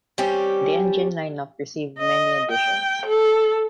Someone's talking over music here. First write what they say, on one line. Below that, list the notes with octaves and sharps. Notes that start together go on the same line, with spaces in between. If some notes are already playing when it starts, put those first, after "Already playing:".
The engine lineup received many additions.
G3 C4 C#4 G4
D#5
G5
A4